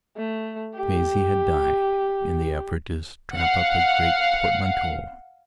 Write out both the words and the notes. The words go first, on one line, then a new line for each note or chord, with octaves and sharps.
Maisie had died in the effort to strap up a great portmanteau.
A3
G4
F5 F#5